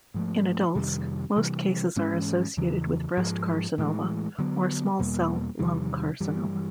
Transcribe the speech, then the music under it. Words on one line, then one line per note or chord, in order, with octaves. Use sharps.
In adults, most cases are associated with breast carcinoma or small-cell lung carcinoma.
G#2 F3 A3
F2 C3 D#3 G3
C3 E3 G3
G#2 E3 G#3 C#4
E2 C#3 E3
G#2 F3 G#3
A2 E3 G#3
D3 F#3 B3
E2 B2 G3 A#3
E2 C3 D#3 G3
G2 E3 G3